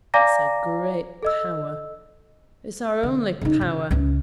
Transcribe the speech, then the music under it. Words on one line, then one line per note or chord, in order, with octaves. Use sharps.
It's a great power: it's our only power.
D5 F5 G#5 A#5 D6 A#6
A4 D#5 E6
D3
C#3 D#4
C#3
C#2 C#3